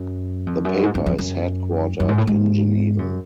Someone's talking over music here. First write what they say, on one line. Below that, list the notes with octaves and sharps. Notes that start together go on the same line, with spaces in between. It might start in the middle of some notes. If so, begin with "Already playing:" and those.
The paper is headquartered in Geneva.
Already playing: F#2
F2
F#2
G#2
F#2
F2
F#2
F#2
G#2
A2
G#2
F#2